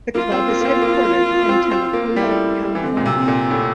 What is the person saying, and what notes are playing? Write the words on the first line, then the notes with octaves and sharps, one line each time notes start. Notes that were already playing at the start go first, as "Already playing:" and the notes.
The club is headquartered in Temecula, California.
A#3 F4
C4
A#3
A#3
C4
A#3
C4
C4
A#3
G3 E4
A3
G3
E3
D3 C4
A#2
C3
C4
A#2
A2